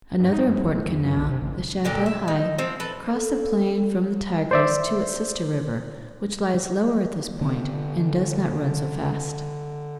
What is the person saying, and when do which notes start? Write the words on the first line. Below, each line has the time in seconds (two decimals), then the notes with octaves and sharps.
Another important canal, the Shatt el Hai, crossed the plain from the Tigris to its sister river, which lies lower at this point, and does not run so fast.
0.19 G2
0.33 D#4
0.47 F#2
0.62 G1
0.74 A2
0.87 E2
1.05 F#2
1.17 B1
1.29 C3
1.42 A1
1.85 A#2 D3 G4
2.06 E5
2.28 D#4
2.58 F3 C4
2.80 A4 B4
3.11 A4
4.51 C5 D5 E5
7.41 D3 B3